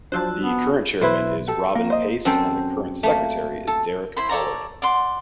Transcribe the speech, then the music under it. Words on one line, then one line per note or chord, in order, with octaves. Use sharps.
The current chairman is Robin Paice and the current secretary is Derek Pollard.
F3 F#3 D4 F#4 C5 A5 E6 F#6
B3 F#4
B1 E4 B4 C5
G4 A4
A#3 A#4
C5 D#5
F#2 C4 A4 C5
A3 A#3
A4
E4 C5 B5
A4 C#5 D5 A#5
D5 F#5 C6